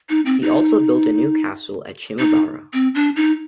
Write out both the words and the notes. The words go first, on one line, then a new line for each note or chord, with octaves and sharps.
He also built a new castle at Shimabara.
D#4
C4
D#4
D#4
C4
D4
D#4